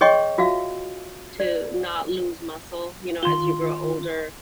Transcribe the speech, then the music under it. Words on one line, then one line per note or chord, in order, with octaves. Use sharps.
to not lose muscle, you know, as you grow older.
G#4 C#5 D#5 G5 C6 C#6
F4 F#4 E5 F5
D5
D#3 F4 C6 G7